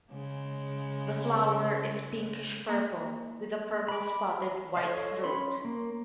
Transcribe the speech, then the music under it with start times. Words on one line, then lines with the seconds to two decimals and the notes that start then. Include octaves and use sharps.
The flower is pinkish-purple with a purple-spotted white throat.
0.11 C#3 G#3
2.69 A#3
3.88 B5 D6
4.77 A4 C#5 D#5 F5
5.24 C#4 B5 C6
5.65 A#3